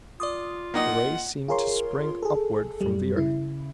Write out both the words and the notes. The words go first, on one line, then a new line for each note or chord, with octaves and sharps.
The rays seemed to spring upward from the earth.
F4 D5 D6 D#6
A#3 D#4 D#5 F#5
F4 G#4 A#4 C#5 C6
G#4 A4
F#2 G3
C#3 E4